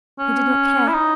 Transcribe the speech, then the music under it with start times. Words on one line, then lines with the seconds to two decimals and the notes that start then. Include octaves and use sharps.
He did not care.
0.19 C#4
0.88 E4
0.94 D#4